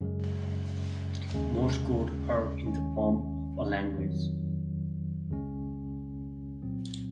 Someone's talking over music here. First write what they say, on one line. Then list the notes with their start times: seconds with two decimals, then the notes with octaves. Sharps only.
Morse Code or in the form of a language.
0.01 F#2 C#3 G#3
1.33 D#2 C#3 G#3 C#4
2.65 D#2 D#3 G#3 C#4
3.97 F2 D#3 F#3
5.30 C#2 C#3 G#3 C#4
6.62 C2 A#2 F#3 C4